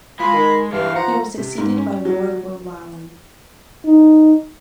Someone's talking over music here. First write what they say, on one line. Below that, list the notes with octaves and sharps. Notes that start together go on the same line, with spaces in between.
He was succeeded by Lord Rowallan.
G#3 F4 B5
D#3
G2 E3 D4 F5
F3 F#5 A#5
C3
G#2
C#4
F#3
D#4